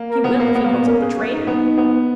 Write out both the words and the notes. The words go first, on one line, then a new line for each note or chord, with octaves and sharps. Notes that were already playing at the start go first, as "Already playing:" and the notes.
"He will, if he knows I've betrayed him."
Already playing: A#3
A#4
B3
A#3
B3
A#3
B3
C#4 A#4
G#4
F#4
D#4
B3
B3